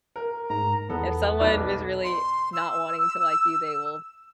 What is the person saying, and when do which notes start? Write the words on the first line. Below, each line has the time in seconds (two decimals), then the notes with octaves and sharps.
if someone is really not wanting to like you, they will
0.16 A#4
0.50 G#2 A#5
0.90 E2 B3 A4
1.40 B1 B4 D5
2.04 C6
2.53 E6